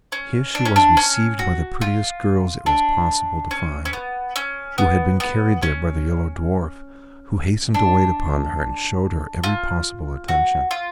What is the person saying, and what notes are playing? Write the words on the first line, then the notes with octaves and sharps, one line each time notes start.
Here she was received by the prettiest girls it was possible to find, who had been carried there by the Yellow Dwarf, who hastened to wait upon her and showed her every possible attention.
C#4
D4
C#4
D4
C#4
F#4
F4
D4
C#4
C#4
B3
C#4
B3
B3
C#4
D4
F4
F#4
F4